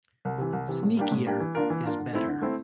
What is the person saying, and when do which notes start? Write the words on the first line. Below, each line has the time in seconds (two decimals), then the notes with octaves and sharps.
Sneakier is better.
0.25 C2
0.38 C3 E3
0.53 C2
0.68 C3 E3
0.83 A2
0.97 G3 A#3 D4 G4
1.12 A2
1.26 G3 A#3 D4 G4
1.40 E3
1.55 A#3 D4 F4 A#4
1.70 E3
1.83 A#3 D4 F4 A#4
1.98 D3
2.13 A3 C4 E4
2.28 D3
2.42 A3 C4 E4